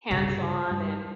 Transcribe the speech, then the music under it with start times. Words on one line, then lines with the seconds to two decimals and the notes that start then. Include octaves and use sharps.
hands-on and
0.10 G2 C#3
0.71 G2